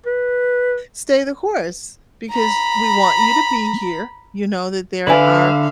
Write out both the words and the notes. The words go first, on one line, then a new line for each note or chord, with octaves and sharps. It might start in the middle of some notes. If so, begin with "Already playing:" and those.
stay the course because we want you to be here, you know that there are
B4
A#5 B5
D3 B4 D5 E5 F5 G#5 B5